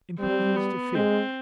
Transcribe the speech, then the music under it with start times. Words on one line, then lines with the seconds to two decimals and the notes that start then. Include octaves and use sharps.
Impervious to fear!
0.19 G3 C4
0.56 B3
0.95 G#3 C4